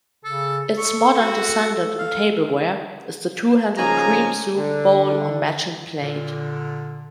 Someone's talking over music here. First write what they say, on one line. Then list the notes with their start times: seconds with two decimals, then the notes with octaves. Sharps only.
Its modern descendant in tableware is the two-handled cream soup bowl on matching plate.
0.25 C#3 A4
0.78 A4 C#6
1.20 F#4
1.99 F5
3.78 C#3 F3 A#3 D#4 G#5 A#5
4.56 D3
6.01 A#2 D3